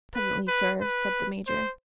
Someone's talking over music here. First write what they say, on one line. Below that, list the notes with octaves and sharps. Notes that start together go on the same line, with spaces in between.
"Presently, sir," said the Major.
B4
B4
B4
C5